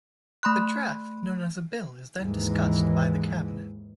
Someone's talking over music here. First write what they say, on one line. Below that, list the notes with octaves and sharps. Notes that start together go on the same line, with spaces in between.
The draft, known as a bill, is then discussed by the Cabinet.
A3 B5 C6 F#6
D#2 G#2 E3 G#3